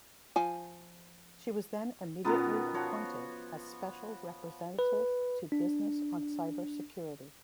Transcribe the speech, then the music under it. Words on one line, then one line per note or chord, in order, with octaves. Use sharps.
She was then immediately appointed as "Special Representative to Business on Cyber Security".
F3 G#5
B2 D#3 B3 C#4 F4 A#5
F3 F#4 C#5
B4
D4